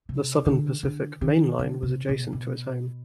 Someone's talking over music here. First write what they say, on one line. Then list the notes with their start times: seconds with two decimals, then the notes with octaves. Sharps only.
The Southern Pacific main line was adjacent to his home.
0.09 C3
0.46 D3
0.83 D3
1.21 D#3
1.59 D3
1.83 C3
2.09 B2
2.33 B2